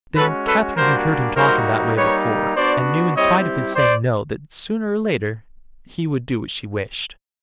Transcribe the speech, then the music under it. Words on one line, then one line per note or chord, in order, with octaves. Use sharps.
But, then, Katherine had heard him talk in that way before, and knew, in spite of his saying "no," that, sooner or later, he would do as she wished.
G#3 C#4 F#4 A4 B4
A4 B4
G3 A#3 D4 F#4 A#4 C5
G3 A#3 D#4 F#4 A#4 C5
G3 A#3 D#4 B4 C#5
B3 D4 F#4 C5 D5
G3 C4 E4 G4 C#5 D#5
C5 D5